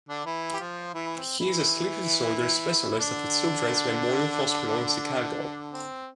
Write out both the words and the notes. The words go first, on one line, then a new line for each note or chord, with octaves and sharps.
He is a sleep disorders specialist at the Children's Memorial Hospital in Chicago.
D3 D4
E3 E4
G4
F3 F4
E3 E4
C4
E3 E4
E4
D3 D4
C4